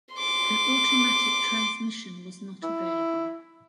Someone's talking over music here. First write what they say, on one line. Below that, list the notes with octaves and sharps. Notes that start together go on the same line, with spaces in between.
An automatic transmission was not available.
C6 D6
E4